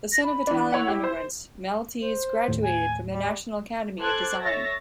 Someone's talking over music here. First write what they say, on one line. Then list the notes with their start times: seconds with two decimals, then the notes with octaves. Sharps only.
The son of Italian immigrants, Maltese graduated from the National Academy of Design.
0.13 A#6
0.24 B5
0.47 E3 D4
0.72 E4 C#5 F#5
0.88 G4
1.04 C5
2.03 C5
2.48 D#2 A2
2.64 G#5
3.13 G3
3.98 A4 C5 A5 D6 F#6 G#6
4.42 C#5 E5 A6 A#6